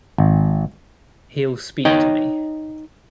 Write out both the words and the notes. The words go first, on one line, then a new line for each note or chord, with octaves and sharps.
He’ll speak to me.
G#1
D#4 C#5 D#5 G5